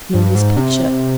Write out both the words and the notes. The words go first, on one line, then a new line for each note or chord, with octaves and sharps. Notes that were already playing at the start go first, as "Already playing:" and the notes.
"Nor his picture?"
G2
G#2
C3